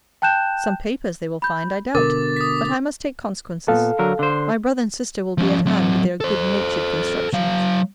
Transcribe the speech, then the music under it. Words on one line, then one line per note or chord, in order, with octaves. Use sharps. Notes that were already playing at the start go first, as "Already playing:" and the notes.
Some papers they will find, I doubt: but I must take consequences. My brother and sister will be at hand with their good-natured constructions.
G5 A5 F#6 G6 E7
B5 G6
B2 D3 A#4 D6 A6
D#6 B6
A#2 B3 A4 F5
D3 F#3 A#4
D3 C5
F3 C#4
F#3 C4
A4 C5
F#3 F5